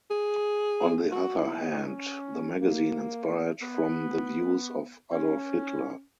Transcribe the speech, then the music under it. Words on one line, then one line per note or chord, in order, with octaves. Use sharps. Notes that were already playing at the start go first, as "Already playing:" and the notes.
On the other hand, the magazine inspired from the views of Adolf Hitler.
G#4
F#4
E4
D#4
C#4
A#3
B3
C#4